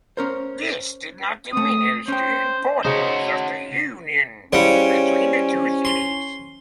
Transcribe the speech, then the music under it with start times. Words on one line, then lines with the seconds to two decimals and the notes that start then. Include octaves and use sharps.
This did not diminish the importance of the union between the two cities.
0.17 C#4 A#4 C5
1.53 A3 C4 D#6
2.08 C#4 C5 G5
2.85 C#3 D#4 F#4 C5
4.53 C#3 G3 C#4 E4 G4 C5 F#5
5.85 C6